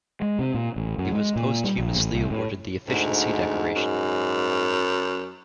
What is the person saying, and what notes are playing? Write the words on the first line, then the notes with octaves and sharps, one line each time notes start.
He was posthumously awarded the Efficiency Decoration.
G#3
C3
A#2
A1
F#2
G#3
A#2
G3
A#1
A1
C2
A2
D2 G#2
F#2